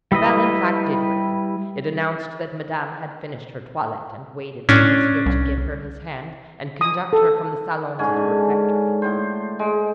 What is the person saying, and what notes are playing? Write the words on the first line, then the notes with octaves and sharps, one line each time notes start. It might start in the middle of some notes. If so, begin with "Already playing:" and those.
A bell, in fact, did ring; it announced that Madame had finished her toilette, and waited for Monsieur to give her his hand, and conduct her from the salon to the refectory.
G3 E4 B4 D#5
A2 C#4 D4
C2
D#6
A4
G#2 D3 C#4 G#5
A2 C5
G#3